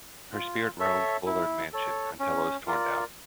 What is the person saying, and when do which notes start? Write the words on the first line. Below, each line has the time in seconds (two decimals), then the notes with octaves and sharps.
Her spirit roamed Bullard mansion until it was torn down.
0.32 F4
0.79 A4 C#5 E5
1.26 E4
1.73 A4 C#5
2.20 C#4
2.66 F4 A#4 D5